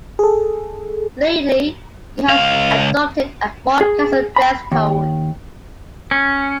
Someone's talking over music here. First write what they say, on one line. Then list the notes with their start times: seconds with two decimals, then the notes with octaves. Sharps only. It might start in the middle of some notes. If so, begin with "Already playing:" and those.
Lately, he has adopted a more casual dress code.
0.19 G#4 A4
2.29 C#2 F5
3.81 G#4
4.36 B5
4.72 D#2
6.11 C#4